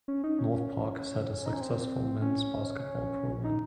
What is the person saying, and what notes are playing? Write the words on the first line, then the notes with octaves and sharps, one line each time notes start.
North Park has had a successful men's basketball program.
C#4
D#4
C#4
D#4
C#4
C4
C#4
D#4